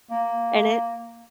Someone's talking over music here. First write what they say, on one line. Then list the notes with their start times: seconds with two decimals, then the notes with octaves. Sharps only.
and it
0.11 A#3